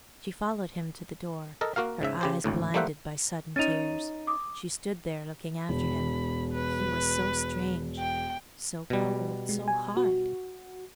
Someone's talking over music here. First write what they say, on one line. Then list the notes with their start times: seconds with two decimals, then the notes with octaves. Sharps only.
She followed him to the door, her eyes blinded by sudden tears; she stood there looking after him. He was so strange, so cold, so hard.
1.61 A4 A#4 D#5
1.76 A#3 F#4 A#4 F5
2.02 G#2 C#3 E5
2.21 C#3 G4 C5
2.44 G#1 D2 A2
2.74 G3 A3 A#3 C5 E5 F#5
3.56 C#4 D#4 A6 D#7 F7
4.27 D6 D#6
5.69 E1 B5
6.52 B4
7.99 G5
8.90 B2 G3
9.49 G#3
9.68 G#5
9.97 F#4